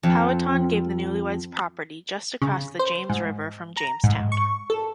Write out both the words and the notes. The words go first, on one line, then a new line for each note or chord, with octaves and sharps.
Powhatan gave the newlyweds property just across the James River from Jamestown.
F2
C#3
C5
G#2
A#5
G#2
C#6
A4